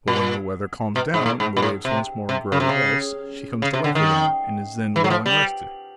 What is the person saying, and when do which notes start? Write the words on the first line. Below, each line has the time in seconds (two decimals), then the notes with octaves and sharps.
But when the weather calms down and the waves once more grow less, she comes to life again, and is then well and rested.
0.08 A#2
0.96 B2
1.14 G#2
1.26 A2
1.40 G#2
1.57 A#2
1.62 A2
1.85 C3
2.29 C3
2.52 C#3
2.60 C3
2.69 C#3
3.62 C#3
3.73 C3
3.84 D3
3.95 D#3
4.96 E3
5.04 F#3
5.10 F3
5.26 G3